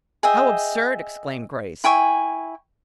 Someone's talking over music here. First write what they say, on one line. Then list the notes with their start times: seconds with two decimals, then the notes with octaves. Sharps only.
"How absurd!" exclaimed Grace.
0.23 G#4 D#5 E5 G5
1.84 E4 G5 G#5 C#6